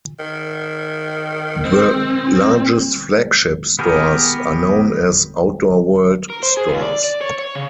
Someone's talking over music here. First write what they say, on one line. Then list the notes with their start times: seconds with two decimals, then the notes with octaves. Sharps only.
The largest flagship stores are known as Outdoor World stores.
0.20 D#3
1.65 C4
3.79 B3 G4 G#4 A#4
6.30 A#4
6.43 C5
6.57 G#4
6.69 D#2
6.83 D5
7.04 D5
7.21 C#5
7.39 C#5
7.55 C#3